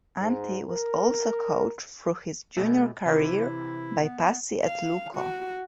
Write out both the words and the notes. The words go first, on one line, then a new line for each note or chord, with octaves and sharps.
Antti was also coached through his junior career by Pasi at Lukko.
G#2
A#4
B2 G#3 A3
C3 E3 E4
B3
F5
F#4